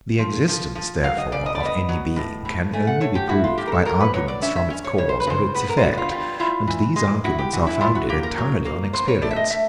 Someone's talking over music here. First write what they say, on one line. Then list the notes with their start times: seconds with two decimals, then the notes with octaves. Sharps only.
The existence, therefore, of any being can only be proved by arguments from its cause or its effect; and these arguments are founded entirely on experience.
0.19 F3
0.48 F3
0.75 F3
1.03 F#3 F5
1.18 D#5
1.32 C#3 D5
1.46 D#5
1.55 D5
1.60 B3
1.66 D#5
1.89 F#3
2.16 A2
2.45 A2
2.73 A3 G#5
2.87 F#5
3.01 A3 C#5
3.15 G4
3.29 E4 F#4
3.44 F4
3.58 A2 G4
3.67 A#4
3.72 A4
3.86 F#3 A#4
4.00 B4
4.14 F#3 C#5
4.28 D5
4.42 C#4 E5
4.56 E5
4.70 C#4
4.84 C#5
4.98 C#3 C#5
5.09 C5
5.20 B4
5.27 C#3 C5
5.55 B3 B4
5.69 A#4
5.77 F4
5.83 B3 F#4
5.93 F#4
5.98 F4
6.11 G3 F4
6.40 E4 F4
6.67 E3
6.96 G#3
7.24 E4 F#4
7.39 G4
7.53 E3 F#4
7.67 E4
7.81 E4 F4
7.95 F#4
8.09 A#3 G4
8.23 A#4
8.38 F#3
8.65 A#3
8.93 B2 C5
9.08 C#5
9.22 A3 D5
9.31 E5
9.36 D#5
9.50 A3 E5